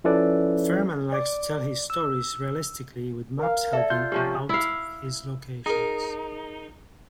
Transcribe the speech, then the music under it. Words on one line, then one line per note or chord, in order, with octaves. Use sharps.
Furman likes to tell his stories realistically with maps helping out his locations.
F3 C#4 E4 A4 B4 D5
D5 D6
E6
A#4 F5
A4 D5 E5
F4 G6
C3 F3 C#4 G4
E4 F5
D#4 G#4 A#4